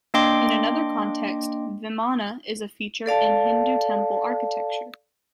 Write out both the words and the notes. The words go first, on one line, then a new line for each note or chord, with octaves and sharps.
In another context, Vimana is a feature in Hindu temple architecture.
A#3 D4 D#5 G5 C6 D6
A4 D5 F5 A5